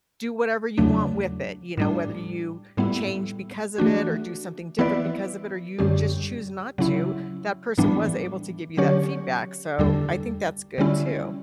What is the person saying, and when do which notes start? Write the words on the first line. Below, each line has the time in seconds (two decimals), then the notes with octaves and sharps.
do whatever you want with it, you know. Whether you change because of it or do something different because of it, or you just choose not to, that person was able to give you that feedback, so, I think that's good too.
0.78 E2 C#3 F#3 A3 D4
1.77 A2 G3 D4
2.77 A2 G3 B3 E4
3.78 E3 A3 D4 F#4
4.79 E3 B3 E4 B4 D5
5.79 F#2 D3 G3 C#4 G4
6.78 C#3 F#3 C#4 E4
7.78 A2 E3 G3 B3 D4
8.77 D3 F#3 C#4 G4 C#5
9.79 E2 D3 G3 D4 A4
10.78 D3 G3 C#4 E4